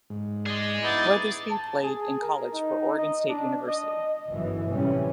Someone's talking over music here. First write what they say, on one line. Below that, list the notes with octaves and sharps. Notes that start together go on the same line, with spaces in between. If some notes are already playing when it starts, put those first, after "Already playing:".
Weathersby played in college for Oregon State University.
G#2
G#4 D5 D#5
B3 D#4 E4 D6 A6
A5
G#4
A#4
D#4
D#5
D4
D#5
G1 F#2 E3
A2 C3 E3 G3 C#4